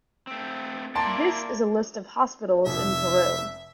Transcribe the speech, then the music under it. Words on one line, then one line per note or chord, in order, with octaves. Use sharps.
This is a list of hospitals in Peru.
A3 C4
A#3 E4 D5 A5 C6 A6
F1 F2 E5